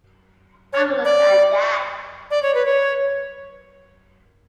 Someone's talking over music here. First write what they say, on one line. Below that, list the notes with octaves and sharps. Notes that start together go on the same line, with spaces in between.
Have a look at that.
C#5
D5
D5
C#5
B4
C#5